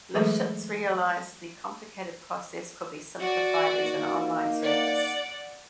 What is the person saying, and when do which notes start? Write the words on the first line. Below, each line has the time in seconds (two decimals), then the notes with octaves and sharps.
Lifshitz realized the complicated process could be simplified as an online service.
0.14 E3 F#3 G#3 A3 G#4 A4
3.19 F#4 D5
3.82 A#3 D#4
4.63 D5 F#5